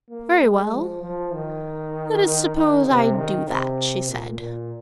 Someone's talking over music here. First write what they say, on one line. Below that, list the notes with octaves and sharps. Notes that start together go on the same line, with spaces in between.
"Very well, let us suppose I do that," she said.
A#3
G#3
F3
F3
D#3
D#3
D#3
C3
D#3
C3
A#2
A#2